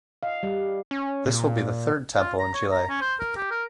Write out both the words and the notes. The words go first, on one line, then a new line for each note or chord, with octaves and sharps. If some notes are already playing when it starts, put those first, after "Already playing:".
This will be the third temple in Chile.
D#5 F5
G3
C#4
A#2
F4
A#5
C#5
A#5
C#4
C5
A#4
G4
A#4